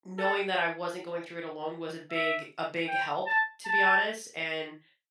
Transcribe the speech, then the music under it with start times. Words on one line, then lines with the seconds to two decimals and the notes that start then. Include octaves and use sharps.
knowing that I wasn't going through it alone was a big a big help, to be honest, and
0.18 A4
2.11 E5
2.88 G5
3.26 A5
3.65 A5